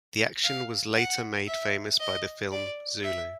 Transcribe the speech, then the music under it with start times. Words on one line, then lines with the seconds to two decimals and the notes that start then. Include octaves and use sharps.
The action was later made famous by the film "Zulu".
0.44 F5
0.96 F#5
1.48 E5
2.00 D#5
2.52 D5
3.03 E5